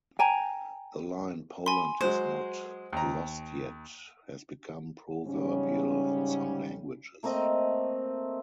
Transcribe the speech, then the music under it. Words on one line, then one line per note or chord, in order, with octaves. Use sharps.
The line "Poland is not lost yet" has become proverbial in some languages.
G5 G#5 A#5
G#5 B5 C6
F#3 G#3 C5
D#2 A#5
G#2 C#3 G3 C#4
A3 A#3 C4 D#5